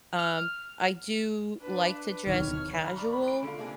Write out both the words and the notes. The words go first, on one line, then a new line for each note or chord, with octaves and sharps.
Um, I do like to dress casual,
F6
D4 B4
D1 B1 D#3 C#5 F6
A#5 B5 F6 F#6
D5 B5 C#6
A2 B5
D7
D3 G#3 A3 F4
C3 A#3 D4 G#4